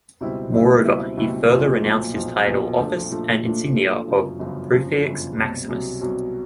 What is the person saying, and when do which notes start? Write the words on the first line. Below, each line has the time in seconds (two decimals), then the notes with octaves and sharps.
Moreover, he further renounced the title, office, and insignia of the "Pontifex Maximus".
0.21 C#2 B2 G3 C4 E4
0.53 C#2 B2 G3 C4 E4
0.85 C#2 B2 G3 C4 E4
1.17 C#2 B2 G3 C4 E4
1.50 B1 A#2 F3
1.82 B1 A#2 F3
2.14 B1 A#2 F3
2.47 B1 A#2 F3
2.79 A#2 F3 A3 D4
3.10 A#2 F3 A3 D4
3.43 A#2 F3 A3 D4
3.75 A#2 F3 A3 D4
4.07 G1 F#2 C#3 F3
4.39 G1 F#2 C#3 F3
4.72 G1 F#2 C#3 F3
5.05 G1 F#2 C#3 F3
5.36 C2 B2 F#3
5.69 C2 B2 F#3
6.01 C2 B2 F#3